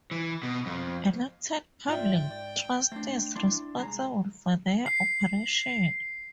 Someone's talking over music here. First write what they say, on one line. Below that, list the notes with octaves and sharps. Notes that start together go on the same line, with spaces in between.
Elected public trustees responsible for their operation.
E3
B2
F2
G#2 F4 D5 E5 G5
D5
A3 D4 C5
D4 E4 C6
C2 G#3 A#5
C7